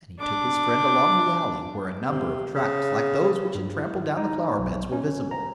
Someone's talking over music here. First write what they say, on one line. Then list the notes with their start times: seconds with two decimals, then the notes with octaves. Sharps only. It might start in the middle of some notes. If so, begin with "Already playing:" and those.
And he took his friend along the alley, where a number of tracks like those which had trampled down the flowerbeds, were visible.
0.20 D4 D6
2.06 C3
2.55 C#3
3.55 G2
3.78 E4
4.17 D#4
4.59 B1
4.92 C#4
5.31 A#5